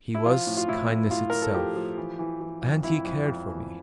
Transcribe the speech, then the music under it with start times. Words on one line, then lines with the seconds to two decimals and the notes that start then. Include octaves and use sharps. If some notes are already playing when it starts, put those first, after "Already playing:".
He was kindness itself, and he cared for me.
0.15 E4
0.26 F3 F4
0.47 A2
0.57 F4
0.68 A2 E4
0.90 A2
1.11 A2 F4
1.30 A2 A#4
1.42 A4
1.54 F3 G4
1.76 F3
1.98 E3
2.19 E3
2.40 E3
2.62 F2
2.83 F2 E4
3.05 F2
3.26 F2
3.47 E3